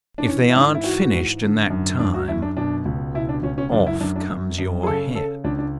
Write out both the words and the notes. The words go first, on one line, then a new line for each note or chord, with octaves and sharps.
If they aren't finished in that time, off comes your head.'
D4
E3 C#4
E4
G#2 D4
E4
E3 F#4
G#2
D3
F#2
F#2 D4
F#4
F#2 E4
D4
B2 D4
C#2
B2 E4
D4
C#2 C#4
C#4
F#2 D4
E4
F#2 D4
D4
F#2
F#2
G#4
C#3 A4
C#3 A4
C#2 D4
D4